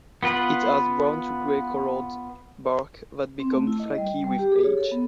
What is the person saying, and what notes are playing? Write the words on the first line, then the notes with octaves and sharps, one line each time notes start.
It has brown to grey coloured bark that become flaky with age.
B3 F4 B4
C4
A3
E4
D#5
G3
G3
G4
G#4
C#5
A4
B3